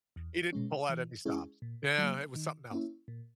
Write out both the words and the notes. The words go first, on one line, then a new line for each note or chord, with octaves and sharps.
he didn't pull out any stops. Yeah, it was something else.
E2
B2 G#3 C#4
E3
G#3 C#4 E4 G#4
A#2
F#3 A#3
D#3
A#3 C#4 E4
A#2